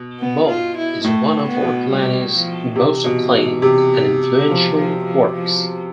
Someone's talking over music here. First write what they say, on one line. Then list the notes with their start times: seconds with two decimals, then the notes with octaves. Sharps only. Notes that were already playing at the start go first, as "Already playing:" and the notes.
"More" is one of Ortolani's most acclaimed and influential works.
Already playing: B2
0.19 B3
0.47 F4
0.77 E4
1.04 A2 A3
1.48 B3
1.62 B2
1.91 G3
2.33 F3
2.76 C3 E3
3.04 B2
3.34 B2
3.62 C3
4.47 F3
4.76 F3
5.04 F3
5.33 F3